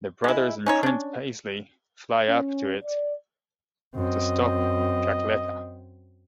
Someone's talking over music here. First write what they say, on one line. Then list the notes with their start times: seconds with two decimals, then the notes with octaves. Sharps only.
The brothers and Prince Peasley fly up to it to stop Cackletta.
0.24 G#3 E4
0.66 C#4 D#4 C#5
0.83 C#4 D4
2.28 C#4
2.83 D5
3.95 F#2 C4 D#5